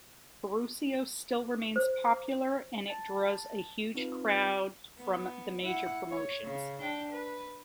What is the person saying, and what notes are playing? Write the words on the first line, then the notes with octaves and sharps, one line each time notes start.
Puroresu still remains popular and it draws huge crowds from the major promotions.
C5
A5 A6
C4 D#4 F4 B4
B3
E4 F#5
C#5
C#3
D4 G5
B4